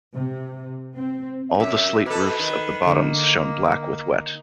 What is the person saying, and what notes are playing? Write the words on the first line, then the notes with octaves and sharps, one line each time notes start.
All the slate roofs of the Bottoms shone black with wet.
C3
C4
F#2 E5
B2 A4 B4
D#3
D3 A#3